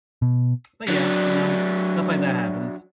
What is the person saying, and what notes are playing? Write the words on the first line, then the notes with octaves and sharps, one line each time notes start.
But, yeah, you know, stuff like that happens.
B2
F#3 D4